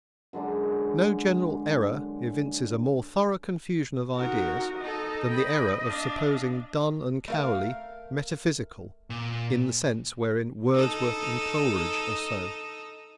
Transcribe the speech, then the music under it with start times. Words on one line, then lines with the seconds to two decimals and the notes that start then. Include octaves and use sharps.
No general error evinces a more thorough confusion of ideas than the error of supposing Donne and Cowley metaphysical in the sense wherein Wordsworth and Coleridge are so.
0.33 F#2 D3 G#3 D4
4.18 D#4 F#4 A#4
4.80 D#4 A4 D#5
5.29 G5 B5
5.86 D4 F5
7.28 A3 A#4 F5
9.10 A#2
10.74 D#4 A4